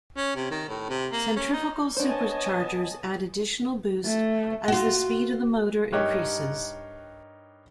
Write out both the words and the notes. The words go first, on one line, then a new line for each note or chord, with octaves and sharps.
Centrifugal superchargers add additional boost as the speed of the motor increases.
C#4
C3
D#3
A2
C3
A#3
C#4
D#4
B3 D4 C5 C#5 D#5 G#5 A5
A3
F4 F#4
G2 D#4 G4 A#4 C#5 F#6